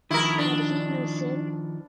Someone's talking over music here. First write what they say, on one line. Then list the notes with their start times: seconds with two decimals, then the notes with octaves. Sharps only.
Had he no sin?
0.11 D#3 F3 E4 A#4
0.38 D4